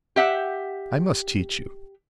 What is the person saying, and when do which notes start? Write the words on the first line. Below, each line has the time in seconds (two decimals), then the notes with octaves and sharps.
I must teach you.
0.16 G4 E5 F#5